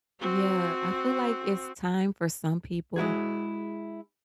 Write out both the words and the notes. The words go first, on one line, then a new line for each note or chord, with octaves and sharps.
Yeah. I feel like it's time for some people,
C4 F#4
G#3 E4 F#4 G#4